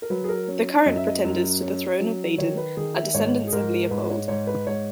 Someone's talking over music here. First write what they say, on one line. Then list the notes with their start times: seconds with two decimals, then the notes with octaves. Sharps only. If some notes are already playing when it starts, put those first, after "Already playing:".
The current pretenders to the throne of Baden are descendants of Leopold.
0.02 A#4
0.10 F#3 B4
0.24 G#4
0.29 A#4
0.49 C#4
0.86 F#2 D#5
0.97 E5
1.08 D#5
1.24 F#2
1.62 C#4
2.00 F#3
2.38 D#3 C#5
2.57 B4
2.77 D#3 G#4
2.96 E5
3.14 G#2 C#5
3.47 G#4
3.52 G#2 A#4
3.91 G#2 B4
4.10 C#5
4.28 G#2 C#5
4.47 B4
4.67 G#2 C#5